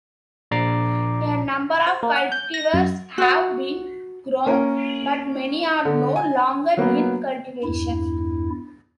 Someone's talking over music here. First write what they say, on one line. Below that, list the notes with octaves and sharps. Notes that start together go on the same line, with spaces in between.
A number of cultivars have been grown but many are no longer in cultivation.
A#1 D5 A#5 D6 C7
C5
A#3
F#5
G6
A#6
F#2
F#4 F#5
A#3 C#4 A#4
D3
G#5
F#3 A#3 B3
E2 G2 E4